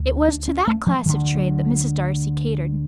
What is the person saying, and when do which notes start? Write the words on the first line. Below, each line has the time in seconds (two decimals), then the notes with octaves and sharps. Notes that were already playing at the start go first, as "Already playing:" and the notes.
It was to that class of trade that Mrs. Darcy catered.
Already playing: D2
0.28 D4
0.48 C#4
0.68 A3
0.87 F3
1.06 D2 D3 F3
1.35 F#3